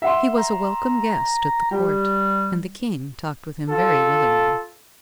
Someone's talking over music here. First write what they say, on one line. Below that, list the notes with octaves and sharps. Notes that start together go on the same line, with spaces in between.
He was a welcome guest at the Court, and the King talked with him very willingly.
E5 F#5 C6
A#5
G3 G4
F4 A4